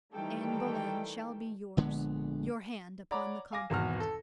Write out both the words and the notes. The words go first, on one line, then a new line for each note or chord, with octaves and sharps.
"Anne Boleyn shall be yours. Your hand upon the compact."
D#3 E3 G3 A3 A4 G5
A#1 D3 G#3 B3
C#5 D5 F#5 A#5 B5 D6
F5 G#5 D6 A#6
G#1 E2 B2 F#5 F6
A4